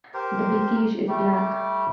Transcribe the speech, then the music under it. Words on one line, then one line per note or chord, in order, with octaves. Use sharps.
The "Bekishe" is black.
G4 A#4 C5
G3 A3 G4